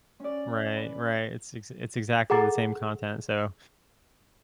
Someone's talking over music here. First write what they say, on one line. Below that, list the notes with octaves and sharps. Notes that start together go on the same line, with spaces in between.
Right, right. It's ex it's exactly the same content. So,
C#4 D5
B4
G#4 A4 F#5 A#5 D6 A6